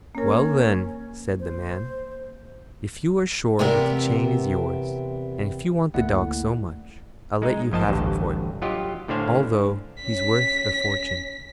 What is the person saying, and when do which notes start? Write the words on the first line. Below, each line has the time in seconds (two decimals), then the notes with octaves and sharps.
"Well, then," said the man, "if you are sure that the chain is yours, and if you want the dog so much, I'll let you have him for it, although he's worth a fortune."
0.15 A#3 C#4 A#4
1.40 C5
3.59 E2 C3 B3 C4 G4 A#4
5.94 D2 A3 A#3 E4 D5 F#5
7.42 G#3 D#4
7.72 A#1 F3 D#5 A5
7.88 A1 D2 G2
8.62 F#3 F4 G4 D#5
9.08 A2 D3 D4 C5 F5 G#5
10.03 C#4 B6